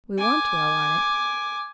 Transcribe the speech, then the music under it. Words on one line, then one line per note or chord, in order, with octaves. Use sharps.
We won't dwell on it.
G#5 D6